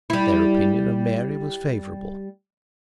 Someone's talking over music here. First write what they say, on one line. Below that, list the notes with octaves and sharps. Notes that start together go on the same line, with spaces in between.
Their opinion of Mary was favourable.
G3 E4